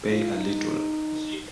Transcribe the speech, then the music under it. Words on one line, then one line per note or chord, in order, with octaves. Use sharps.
Pay a little.
F4
D#4